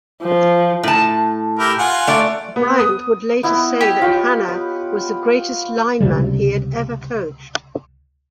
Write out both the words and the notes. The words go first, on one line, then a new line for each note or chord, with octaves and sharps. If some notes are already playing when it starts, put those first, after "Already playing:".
Bryant would later say that Hannah was the greatest lineman he ever coached.
F3
A2 A5
E4 G4 A#4
F4 F#5 G#5
A3 D5
B3
D#6
B3 E4 D#5
G4
F4 C#5 G5
B4
C#2 C3 G3